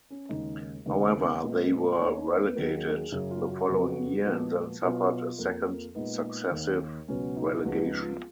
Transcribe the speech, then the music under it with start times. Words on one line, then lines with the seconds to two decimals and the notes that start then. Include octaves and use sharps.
However, they were relegated the following year and then suffered a second successive relegation.
0.10 C#4
0.29 D#2 C#3 G#3 D#4
0.85 D#2 C#3 G#3 B3 D#4
1.42 A#2 G#3 B3
1.99 D#2 D#3 A#3 C#5
2.27 B4
2.50 B4
2.55 D#2 D#3 F#3 A#3 A#4
2.74 G#4
2.93 G#4
3.12 F#2 C#3 F#3 G#4
3.31 F4
3.50 F#4
3.68 F2 C#3 F#3 B3 F#4
4.25 A#2 F3 G#3 B3
4.82 B2 F#3 B3 F4
5.38 F2 F3 A#3
5.95 A#2 G#3 B3 D#4
6.51 D#2 D#3 A#3
7.08 C#2 B2 F#3 B3 C#4
7.37 D#4
7.65 C#2 C#3 F3 G#3 B3 F#4
7.84 D#4
8.03 F4